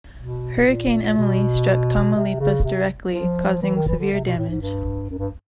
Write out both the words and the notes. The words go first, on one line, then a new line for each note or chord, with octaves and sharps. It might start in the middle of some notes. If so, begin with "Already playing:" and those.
Hurricane Emily struck Tamaulipas directly, causing severe damage.
B2
A#2
B2
C3
C#3
C3
F3
E3
D#3
E3
D3
C3
B2
A2
G#2
G2
F#2
G2